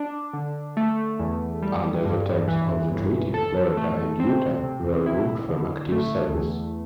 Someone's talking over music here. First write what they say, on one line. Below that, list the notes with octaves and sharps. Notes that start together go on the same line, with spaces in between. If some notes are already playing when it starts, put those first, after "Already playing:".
Under the terms of the treaty, "Florida" and "Utah" were removed from active service.
Already playing: D4
D3
A3
E2
G3
G2
E3
G1
A4
A3
C4
C3
E4
D3
A3
E2